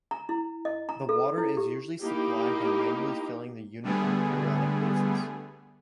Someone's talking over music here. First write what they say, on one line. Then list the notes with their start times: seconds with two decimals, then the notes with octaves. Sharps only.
The water is usually supplied by manually filling the unit on a periodic basis.
0.11 A#5
0.29 E4
0.65 D#5
0.89 A#5
1.09 A4
1.38 E4
1.57 G4
2.03 A#3 D#4 E4 G4
3.83 D3 G3 A3 B3 G#4